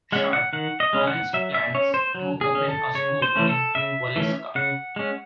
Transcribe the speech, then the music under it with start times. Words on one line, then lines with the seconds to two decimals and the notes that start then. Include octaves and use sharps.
Sharp, commenced plans to open a school in Waleska.
0.12 G#3 C#4 F#5
0.33 F#5
0.53 D#3 F#5
0.80 D#5
0.93 G#3 C#4
1.07 F#5
1.33 F#3 E5
1.54 E5
1.74 C#4 C#5
1.94 C5
2.15 F#3
2.41 G#4
2.55 C#4
2.69 A4
2.94 C#3 C#5
3.22 C5
3.36 E3 A3 C#4
3.49 A4
3.75 C#3 E5
4.16 E3 A3 C#4
4.55 C#3 F#5
4.96 G#3 C#4